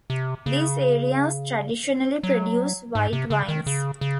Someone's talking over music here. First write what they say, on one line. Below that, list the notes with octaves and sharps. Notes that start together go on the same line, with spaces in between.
These areas traditionally produce white wines.
C3
C#3
F#3
G#2
C3
C#3
D#3
C#3
C#3